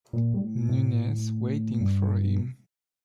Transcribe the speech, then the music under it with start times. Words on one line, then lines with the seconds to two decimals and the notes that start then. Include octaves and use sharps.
Nunez waiting for him.
0.13 A#2
0.34 G2
0.41 A2
0.69 A2
1.80 G2